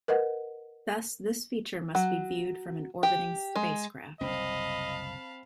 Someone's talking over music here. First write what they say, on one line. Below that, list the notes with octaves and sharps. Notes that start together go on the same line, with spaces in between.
Thus this feature must be viewed from an orbiting spacecraft.
A#4 B4 D#5 F#5
F#3
G4
G#3
F#1 C2 C4 D#5 F5 A5 B5